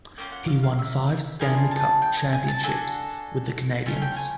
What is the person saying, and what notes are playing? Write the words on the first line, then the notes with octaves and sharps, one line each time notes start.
He won five Stanley Cup championships with the Canadiens.
A#3 C#4 F4 G5
F#5
F5
F5
E5
B3 D4 F4 G#4 G#5
A5
G5
G#5
G#5
A5
D4 F#4 A4 G#5
A3 C#4 F4 G#5
G5
G#5